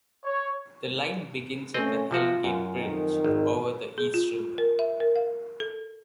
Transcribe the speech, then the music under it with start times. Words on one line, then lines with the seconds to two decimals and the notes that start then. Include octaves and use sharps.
The line begins at the Hell Gate Bridge over the East River.
0.25 C#5
1.74 A3 C4 C#4 D#5
2.11 C3 F3 F4 F#4
2.44 F#2
2.78 F2 D#3
3.24 G#1
3.98 G#4
4.14 F4
4.58 A#4
4.79 E5
5.00 A#4
5.16 F5
5.60 A4